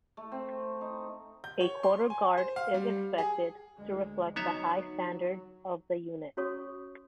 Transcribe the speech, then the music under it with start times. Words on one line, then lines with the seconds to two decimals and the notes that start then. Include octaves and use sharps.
A Quarter Guard is expected to reflect the high standards of the unit.
0.17 A3
0.32 C4
0.81 D#4
1.44 G6
1.61 C#5
1.83 C6
2.10 G#5
2.38 C5
2.56 F5
2.74 G3
3.18 G#4
3.77 D2 G#3
4.36 F#3 B3 D#4 C#5 E5
6.37 C#4 F#4 C#5 C#6 D#6